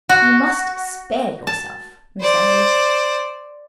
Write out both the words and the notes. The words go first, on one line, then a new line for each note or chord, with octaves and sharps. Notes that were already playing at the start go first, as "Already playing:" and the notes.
You must spare yourself, Miss Emily.
F#4
A5
C5 D5